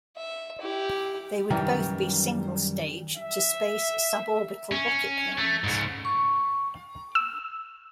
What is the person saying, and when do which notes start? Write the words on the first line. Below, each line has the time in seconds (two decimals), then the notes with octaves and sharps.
They would both be single-stage to space sub-orbital rocketplanes.
0.17 E5
0.61 E4 G4
1.50 F#2 D#3 E3 G3
3.17 E5
4.72 C#4
5.38 A3
5.64 G#2 C#3
6.05 C#6
7.15 E6